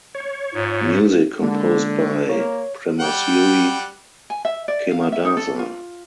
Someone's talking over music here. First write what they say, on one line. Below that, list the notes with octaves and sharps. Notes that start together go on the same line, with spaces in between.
Music composed by Premasiri Khemadasa.
C#5
G#2 F4
D3 G#3 A#3
A#3 C#5
G3 F#5 G5
G#5
E5
D5
F5
E5
D#4
A4
F4